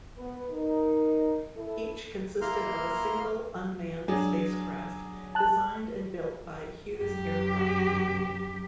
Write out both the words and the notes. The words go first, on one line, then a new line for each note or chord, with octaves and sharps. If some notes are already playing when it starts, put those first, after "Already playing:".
Each consisted of a single unmanned spacecraft designed and built by Hughes Aircraft Company.
B3 B4
D#4 A#4
E4 A4
A#3 E4 A#5 C6 F6
F#3 D4 G#4
A5 F#6
F#2 G4